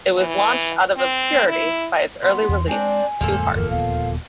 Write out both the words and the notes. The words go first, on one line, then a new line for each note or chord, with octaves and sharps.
It was launched out of obscurity by its early release "To Heart".
E3
C4
E4
B3 C6
E2 E3
G#3 C4 D4 G#5
D1 F2 F3 G#3 A#3 A4
G1 E2 A#4
D#1 D2 B3 F5